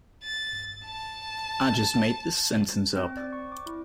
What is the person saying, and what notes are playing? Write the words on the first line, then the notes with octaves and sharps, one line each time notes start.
I just made this sentence up.
A6
A5
C4
D5
C#6
D6
E4